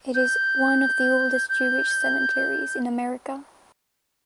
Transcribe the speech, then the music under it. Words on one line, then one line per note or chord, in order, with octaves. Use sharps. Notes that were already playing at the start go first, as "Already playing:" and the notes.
It is one of the oldest Jewish cemeteries in America.
G6
G6